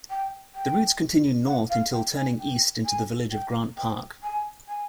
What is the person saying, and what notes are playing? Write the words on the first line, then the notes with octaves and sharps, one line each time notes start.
The routes continue north until turning east into the village of Grant Park.
G5
G5
F#5
F5
G5
G#5
G5
G#5
G5
G5
G#5
G#5